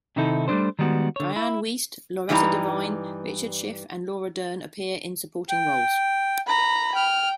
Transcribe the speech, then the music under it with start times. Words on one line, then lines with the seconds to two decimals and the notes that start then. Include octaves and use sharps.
Dianne Wiest, Loretta Devine, Richard Schiff and Laura Dern appear in supporting roles.
0.16 C3 D#3 C4 D#4 E4 A4
0.48 G3 A3 C4 D4 C5
0.79 D#3 G3 G#3 B3 F#4
1.16 D3 C#5
1.36 E4
2.29 G2 E3 G3 D#4 A#5
5.49 G5
6.47 A#5 B5
6.96 G5 F6